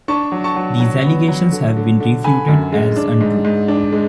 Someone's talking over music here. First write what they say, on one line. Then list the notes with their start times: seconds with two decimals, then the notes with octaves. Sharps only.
These allegations have been refuted as untrue.
0.08 D4 A5 C#6
0.32 F#3
0.44 A5 C#6
0.56 F#3
0.80 F#3
1.04 B3
1.28 F#3
1.52 D3
1.77 D3
2.00 D3
2.24 D3 G#5 B5
2.48 F#2
2.72 G#3
2.96 D4
3.21 G#2
3.45 G#2
3.68 D4
3.92 G#3